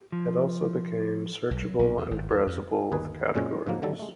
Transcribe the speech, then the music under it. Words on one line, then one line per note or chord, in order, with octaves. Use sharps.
It also became searchable and browsable with categories.
F3
B1
F#3
B1
E2
G#1
E2
F2
G1 D#2 D#4 G#4 B4
F#2 A#2 G#3 C4 C#4
G#2 D3 F3 F#3 A#3
D3 D#3 F#3 G3 A4
G#3 A3